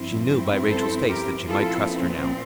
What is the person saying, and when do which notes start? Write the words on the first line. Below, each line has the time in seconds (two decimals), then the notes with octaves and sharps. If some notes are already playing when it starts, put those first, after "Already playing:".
She knew by Rachael’s face that she might trust her now.
Already playing: G2 F3 C4 E4
0.70 A4 C5
1.09 G4 A#4
1.48 A#2 F3 C4 E4 F4 A4